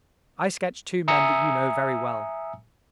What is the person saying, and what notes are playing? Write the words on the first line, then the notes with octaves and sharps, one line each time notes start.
I sketch two men that you know very well.
E5 G#5 A#5 D#6 E6 C#7